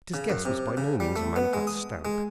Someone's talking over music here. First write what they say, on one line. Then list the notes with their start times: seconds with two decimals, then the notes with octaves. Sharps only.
But his guest was by no means a man of that stamp.
0.14 C#3
0.30 F#2
0.45 C3
0.77 C#3
1.00 G3
1.16 A3
1.36 B3
1.53 G#3
1.67 D#6
2.05 G#3